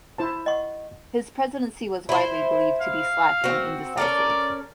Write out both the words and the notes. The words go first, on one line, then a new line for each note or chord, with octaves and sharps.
His presidency was widely believed to be slack and indecisive.
E4 C5 A5
D#5 F#5 C#6
E4 C5
F5
C4 F#4
C#4 A4 A#4 D5